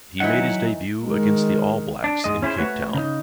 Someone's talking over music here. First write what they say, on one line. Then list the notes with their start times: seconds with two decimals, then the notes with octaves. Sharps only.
He made his debut against the All Blacks in Cape Town.
0.20 D#3 E3 F#3 E5 F#5
1.04 D#3 G#3
2.04 D4
2.24 G#2 G#3 D#5
2.42 C#4 E4 G#4 C5
2.58 A3 F#4 B4 C#5
2.94 C#3 D#4